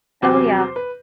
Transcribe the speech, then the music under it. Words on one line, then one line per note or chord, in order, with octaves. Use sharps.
Oh, yeah.
E2 C3 F#3 C5
B4